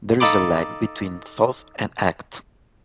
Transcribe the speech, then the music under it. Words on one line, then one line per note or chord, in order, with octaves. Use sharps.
There is a lag between thought and act.
D#4 A4 F5 B5 C6 D6